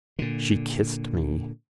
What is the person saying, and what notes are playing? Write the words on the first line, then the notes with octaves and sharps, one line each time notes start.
She kissed me.
A#2 D3